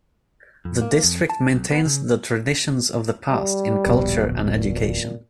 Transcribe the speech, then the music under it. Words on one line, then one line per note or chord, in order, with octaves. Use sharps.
The district maintains the traditions of the past in culture and education.
F2
A#3
F2
A5
B1
B3
C#3
G3
D1 A#1 B2
A#2